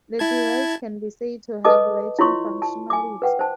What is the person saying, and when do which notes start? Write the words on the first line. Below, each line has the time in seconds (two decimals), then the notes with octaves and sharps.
The device can be said to have latching functionality.
0.19 E4 A5 G#6
1.65 A4 B4 D#5 A5 D6
2.19 E4 F4 C#5 C6 C#6
2.62 A5
2.90 G#5 D6
3.22 B4 F#5 G5
3.39 C5 A5